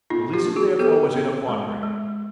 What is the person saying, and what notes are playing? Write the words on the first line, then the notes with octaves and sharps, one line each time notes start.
The Lizard therefore was in a quandary.
B3 D#4 F4
F4 G4
D4
F#4 G#4
B3 G4 A4
B3
G#3
G#3